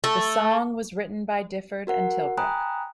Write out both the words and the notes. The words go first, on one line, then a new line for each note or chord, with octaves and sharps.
The song was written by Difford and Tilbrook.
A3
F#4 A#4 F#5
G5 G#5 A#5 B5 D#6 F#6